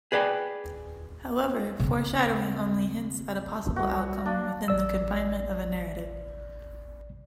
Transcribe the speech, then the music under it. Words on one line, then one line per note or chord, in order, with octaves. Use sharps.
However, foreshadowing only hints at a possible outcome within the confinement of a narrative.
G#4 B4 D5 E5 G5
C#3 C4
C2 F#4
A#3 D4
A1 D5 E6